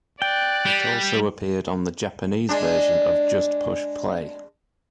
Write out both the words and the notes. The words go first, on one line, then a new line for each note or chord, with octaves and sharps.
It also appeared on the Japanese version of "Just Push Play".
D5 G5 F#6
G3
G#3 D4